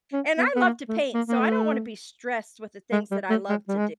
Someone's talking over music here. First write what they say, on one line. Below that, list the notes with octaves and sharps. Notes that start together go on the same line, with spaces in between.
And I love to paint, so I don't wanna be stressed with the things that I love to do,
C#4
B3
B3
A#3
A3
A#3
A#3
A3
G#3
G3
A3
G#3
G3
G#3